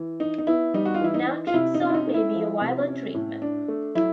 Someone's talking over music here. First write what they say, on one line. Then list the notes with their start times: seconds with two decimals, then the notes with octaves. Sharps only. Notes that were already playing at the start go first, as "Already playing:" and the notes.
Naltrexone may be a viable treatment.
Already playing: E3
0.20 D#4
0.38 D#4
0.47 B3 E4
0.74 G3 D#4
0.85 F#4
0.94 F4
1.01 E3 E4
1.14 D#4
1.27 D#4
1.47 F4
1.54 C3 E4
1.74 D#4
1.81 C#4
1.90 E4
1.94 D#4
2.07 A3
2.14 E4
2.35 F3
2.61 C3
2.88 C#4
3.14 A2
3.42 D4
3.68 A3
3.95 F#3 E4